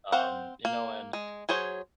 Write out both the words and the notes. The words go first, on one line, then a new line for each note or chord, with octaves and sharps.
um, you know, and
C4 C5 F5 F#5
A#3
G#3
F#3 G#4 C5 C#5